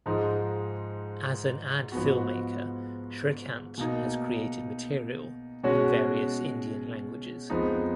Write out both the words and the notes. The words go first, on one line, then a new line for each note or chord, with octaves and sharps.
As an ad filmmaker Srikant has created material in various Indian languages.
G#2 F3 G#3 D#4
G#2 F3 B3 F#4
B2 A#3 D#4
B2 G#3 C#4 F#4 C#5
F2 F3 G#3 B3 D#4